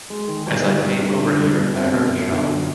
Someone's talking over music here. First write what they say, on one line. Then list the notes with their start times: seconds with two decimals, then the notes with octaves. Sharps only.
As I came over here, I heard a shot.
0.10 G#3
0.28 D#3
0.47 G1
0.65 G3
0.83 G3
1.01 D3
1.20 D3
1.39 G3
1.57 B2
1.75 C4
1.93 B2
2.13 F#2
2.32 D3
2.49 F#2